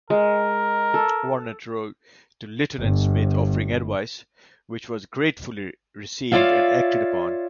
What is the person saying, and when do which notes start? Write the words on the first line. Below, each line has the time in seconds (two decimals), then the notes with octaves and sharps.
Vernet wrote to Lieutenant Smith offering advice, which was gratefully received and acted upon.
0.10 G#3 A#4
0.94 A4
2.80 G1
6.32 F4 C#5 D5 E5 F5